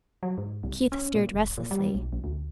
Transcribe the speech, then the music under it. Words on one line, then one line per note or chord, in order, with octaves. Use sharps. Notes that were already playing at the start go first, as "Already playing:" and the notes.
Keith stirred restlessly.
F#3
G#2
C2
C#4
A#2
F1
A#2
G3
B1
A#1
D2